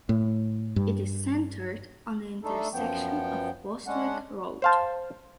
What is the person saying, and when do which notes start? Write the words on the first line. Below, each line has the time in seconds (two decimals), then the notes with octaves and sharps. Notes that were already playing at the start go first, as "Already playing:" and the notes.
It is centered on the intersection of Bostwick Rd.
0.09 A2
0.76 G2
2.44 A3 D4 D#4 A4
2.74 F#2 F3 B3 G5
3.87 G#3 C#4 D4 F#5
4.62 C5 F5 A5